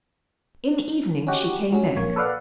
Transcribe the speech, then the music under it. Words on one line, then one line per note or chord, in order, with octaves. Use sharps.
In the evening she came back.
C#4 D#4 F#4 G4
F#3 C#4
A#1 A#3 C#5
A4 B4 D5 F5 F#5